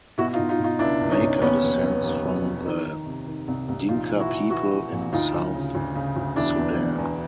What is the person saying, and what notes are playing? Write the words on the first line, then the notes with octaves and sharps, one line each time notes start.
Maker descends from the Dinka people in South Sudan.
B2 E4 F#4
D#4 F4
B2
D#4 F4
B2
D#4 F4
C#2 D4 E4
C#2
C#4 D#4
B2
D#2 B3 C#4
F1
F1
D#2
F1
F1
D#3
D#3
C3
D#3
C2
C2
A#1 D#4 F4
E3
E4 F#4
E3
E3 E4 F#4
E3
A#1
D2 D#4 F4
D2
C#3
D2
C#3
D2
E1 D4 E4
E2
E1
E2